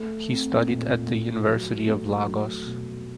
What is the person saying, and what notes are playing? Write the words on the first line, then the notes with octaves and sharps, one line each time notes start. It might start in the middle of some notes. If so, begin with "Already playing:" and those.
He studied at the University of Lagos.
Already playing: A3
C4
A#2
A3
F#3
A3
F#3
B2